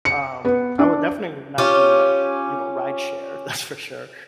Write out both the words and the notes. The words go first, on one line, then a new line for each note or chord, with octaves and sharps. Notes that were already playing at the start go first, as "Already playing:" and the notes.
um, I would definitely not do, like, you know, rideshare, that's for sure.
C#7
B3
D4
C#4 F4 G4